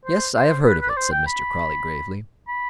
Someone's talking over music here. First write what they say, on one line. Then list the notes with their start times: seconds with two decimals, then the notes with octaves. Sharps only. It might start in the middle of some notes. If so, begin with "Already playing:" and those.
"Yes; I have heard of it," said Mr. Crawley, gravely.
0.06 C5
0.36 C5
0.66 B4
0.82 B4
0.89 D5
0.97 C5
1.12 G5
1.27 B5
2.48 B5